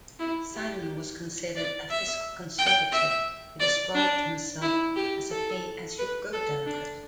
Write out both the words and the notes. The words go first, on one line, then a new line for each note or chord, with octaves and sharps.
Simon was considered a fiscal conservative, who described himself as "a pay-as-you-go Democrat".
E4
G4
D5
E5
G5
E5
D5
D4
E4
G4
A4
B4
A4
D4